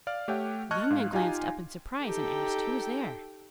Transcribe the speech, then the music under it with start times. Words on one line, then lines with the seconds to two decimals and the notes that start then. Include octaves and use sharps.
The young man glanced up in surprise, and asked who was there.
0.07 D5 F5 F6
0.28 A3 G4 C#5 E5 F#5 G5
0.71 D#5 A5 C#6 F6 F#6 G#6
0.91 G#2 F5
1.13 D#4 F4 G4 F5 G#5
2.02 D#4 G4 A4 G5